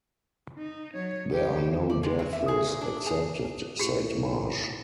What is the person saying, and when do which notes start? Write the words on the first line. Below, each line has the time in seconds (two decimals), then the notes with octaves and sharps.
"There are no deaths expected," said Marsh.
0.58 D#4
0.94 F#3 C#5
1.32 G4
1.90 D5
2.03 G#3
2.19 F#3
2.33 E5
2.48 G#4
2.66 A#2
2.81 D4
3.06 G#4
3.79 A2 F#4 G4